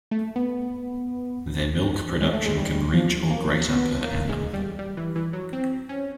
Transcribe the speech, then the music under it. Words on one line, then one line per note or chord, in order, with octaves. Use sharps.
Their milk production can reach or greater per annum.
A3
B3
G#3
A3
G#3
G3
F3
A#3
B3
A#3
G#3
G3
G3
E3
E3
F#3
C4
C#4